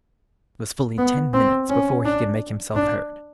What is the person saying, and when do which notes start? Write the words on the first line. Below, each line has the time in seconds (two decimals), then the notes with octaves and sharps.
It was fully ten minutes before he could make himself heard.
0.98 B3
1.34 C4
1.70 C#4
2.05 D4
2.76 D4